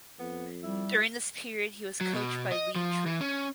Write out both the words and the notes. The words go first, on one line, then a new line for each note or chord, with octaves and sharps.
During this period he was coached by Lee Troop.
F2 B3
G3 E4
F#3
B2
D#5
F3
E3
C#4